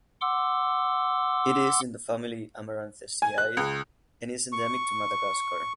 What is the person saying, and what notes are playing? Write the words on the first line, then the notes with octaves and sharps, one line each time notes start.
It is in the family Amaranthaceae and is endemic to Madagascar.
F#5 C6 D6 E6
G#5
F#6
C#2
C#6